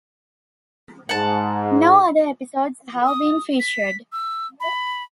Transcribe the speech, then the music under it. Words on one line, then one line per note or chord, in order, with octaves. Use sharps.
No other episodes have been featured.
G#2 F#5 A5
D#6
B6
E6
B5